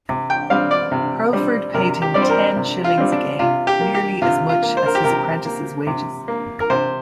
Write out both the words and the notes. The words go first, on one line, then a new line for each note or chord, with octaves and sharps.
Hurlford paid him ten shillings a game, nearly as much as his apprentice's wages.
C3
G5
G3 C4 F5
D5
C3
G3 C4
C3 A#4
G4
G3 C4 D5
C5
A#4
C3
F4
G3 C4
D4
C3 F4
G4
A#3
G4
C3 F4
F4
A#3
C5
A#4
G4
C3 A#4
A#3
C3
A#3
A#4
C3 C5